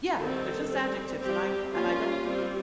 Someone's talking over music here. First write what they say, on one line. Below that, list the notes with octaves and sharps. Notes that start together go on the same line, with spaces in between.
Yeah. They're just adjectives, and I wa and I don't
D#3 G3 C4 A4
G3 C4
G3 C4 G4
G3 A#3 C#4 F4
G3 C4